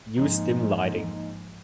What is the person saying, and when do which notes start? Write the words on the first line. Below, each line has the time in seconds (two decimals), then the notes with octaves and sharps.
Use dim lighting.
0.17 G#2 F3 A#3 D#4 D#5